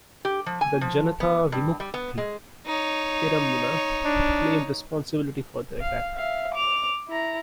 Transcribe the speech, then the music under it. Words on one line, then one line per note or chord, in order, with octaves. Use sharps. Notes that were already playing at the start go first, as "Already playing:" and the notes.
The Janatha Vimukthi Peramuna claimed responsibility for the attack.
G4
F3
G#5
F3
B3
G2
G3
B3
G#3
D#4 C#5
D4
F5
E5 F5
D6 F7
E4 A#5